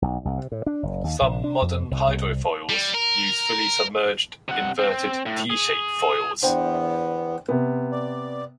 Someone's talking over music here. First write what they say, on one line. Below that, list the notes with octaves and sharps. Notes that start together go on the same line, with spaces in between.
Some modern hydrofoils use fully submerged inverted T-shape foils.
B1
C2
C3
A2
D4
F#1
D#2
A#1
D4
F2
C2
C2
G3
A#4
C3 F#5
C4
A2
G#4
E2 B3 D4 C5 G5
C3 B3
D5